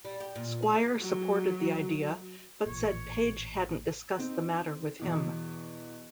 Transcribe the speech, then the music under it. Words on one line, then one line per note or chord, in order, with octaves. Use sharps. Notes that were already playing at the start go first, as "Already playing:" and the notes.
Squire supported the idea, but said Page hadn't discussed the matter with him.
G3
G4
A#2
G#4
F#3
A1 A#2 C#5
C4 D#4
E2 B2 E3